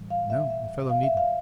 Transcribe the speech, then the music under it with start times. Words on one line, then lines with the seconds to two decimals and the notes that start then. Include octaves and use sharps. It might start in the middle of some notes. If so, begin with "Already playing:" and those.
"No, the fellow needn't."
Already playing: A2 E3 G3
0.10 F5
0.30 E5
0.50 E5
0.90 F5
1.03 E5
1.17 F5